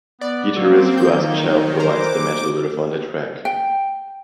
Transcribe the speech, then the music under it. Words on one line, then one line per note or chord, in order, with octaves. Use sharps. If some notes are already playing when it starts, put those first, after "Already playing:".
Guitarist Russ Chell provides the metal riff on the track.
B3 D5
F#3 A#3 C4 F#4 E6
D#3 G6
E3 A#4 C5 A#5 D6
G5